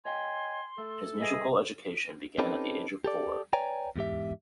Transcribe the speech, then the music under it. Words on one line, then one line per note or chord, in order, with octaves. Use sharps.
His musical education began at the age of four.
C#5 D#5 G5 G#5 C6
A3 A4
G2 G#4 B4 D#5 E5
C4 C#4 D#4 G4 A4 B4
G4 A4 D5
B4 C#5 D5 G5 G#5 A#5
E2 G#2 G4 E5